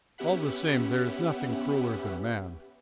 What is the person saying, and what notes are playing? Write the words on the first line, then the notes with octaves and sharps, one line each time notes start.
All the same, there is nothing crueller than man.
B3 C#4 G4 E5 F#5 B5